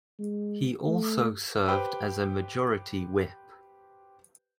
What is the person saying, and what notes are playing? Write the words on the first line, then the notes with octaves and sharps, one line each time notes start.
He also served as a majority whip.
G#3
A3
G4 B4 C5 G5